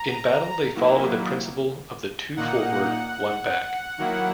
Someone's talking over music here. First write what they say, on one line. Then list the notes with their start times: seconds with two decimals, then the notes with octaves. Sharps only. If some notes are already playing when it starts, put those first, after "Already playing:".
In battle they followed the principle of two forward, one back.
Already playing: A#5
0.75 D#3 F#3 A#3 E4
2.37 A#2 A#3 D#4 F#5
3.98 D#3 F#3 A#3 E4